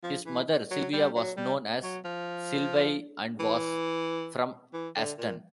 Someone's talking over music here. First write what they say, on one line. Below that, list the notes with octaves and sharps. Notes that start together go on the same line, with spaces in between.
His mother, Sylvia, was known as "Sylvie" and was from Aston.
F3
E3
F#3
G3
F#3
G3
F#3
F3
E3
E3
D3
A#2